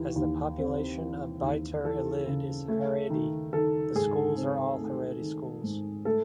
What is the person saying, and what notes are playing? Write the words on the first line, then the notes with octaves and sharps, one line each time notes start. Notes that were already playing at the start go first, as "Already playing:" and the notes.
As the population of Beitar Illit is Haredi, the schools are all Haredi schools.
Already playing: D#2 E3
D#2
C4
E3
D#2
E3 A4
C#3
A3
D#3
D#3 A4
G#2 G#4
C4
A3
D#3
G#2
A3 A4